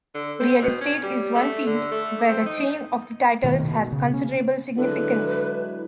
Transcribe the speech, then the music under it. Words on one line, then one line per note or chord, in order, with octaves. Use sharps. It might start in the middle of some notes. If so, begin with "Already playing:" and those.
Real estate is one field where the chain of title has considerable significance.
D3
C4
B2
C#4
G3
A3
D3
A3
C4
D#4
B2 D#3 A3
B2
C#3
C#4
D3 F#3 G#3 E4 B4